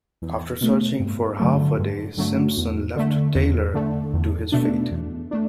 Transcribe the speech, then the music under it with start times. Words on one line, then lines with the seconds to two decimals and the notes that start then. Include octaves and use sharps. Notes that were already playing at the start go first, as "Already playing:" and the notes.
After searching for half a day, Simpson left Taylor to his fate.
0.22 E2
0.61 B2 A3
1.00 G2
1.40 D3 F#3 A3
1.79 G2
2.17 D3 F#3 A3
2.57 E2
2.96 D3 A3
3.35 E2
3.74 D3 A3
4.13 E2
4.52 B2 A3 D4
4.91 E2
5.31 A3 D4